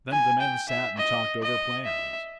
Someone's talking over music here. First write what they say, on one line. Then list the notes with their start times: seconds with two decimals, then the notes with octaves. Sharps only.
Then the men sat and talked over plans.
0.12 G#5
0.41 G5
0.69 E5
0.98 D#5
1.42 D#5
1.85 E5